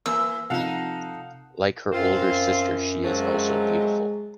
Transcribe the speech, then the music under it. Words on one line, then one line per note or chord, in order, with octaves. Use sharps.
Like her older sister, she is also beautiful.
E3 A#3 E6
C3 F3 D#4 A4 F5 F#5
F#2 C4 F4
C3 F3 F#3 G#3